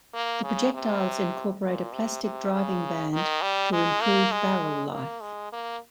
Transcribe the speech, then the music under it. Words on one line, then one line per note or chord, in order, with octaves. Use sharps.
The projectiles incorporate a plastic driving band to improve barrel life.
A#3
C#3
C3
A#2
C3
C3
C#3
D#3
G3
G#3
A#3
G#3
A#3
G#3
A#3